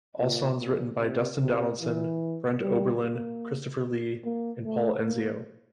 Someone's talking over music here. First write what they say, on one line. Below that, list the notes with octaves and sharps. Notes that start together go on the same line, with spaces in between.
All songs written by Dustin Donaldson, Brent Oberlin, Christopher Lee, and Paul Enzio.
A#2
A#2
C3
C3
E3
G3
A#3
A#3
A3
A#3